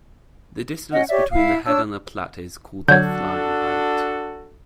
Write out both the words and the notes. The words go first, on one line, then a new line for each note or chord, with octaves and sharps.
The distance between the head and platter is called the flying height.
C#4 D#5 F#5
G4 C#5 D5 E5
E4 F5
D4 C#5 A5 E6
D3 F#3 D4 F#4 A4 G6 G#6